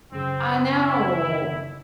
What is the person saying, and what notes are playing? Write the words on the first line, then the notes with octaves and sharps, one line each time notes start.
I know.
F#2 C#3 C4
E4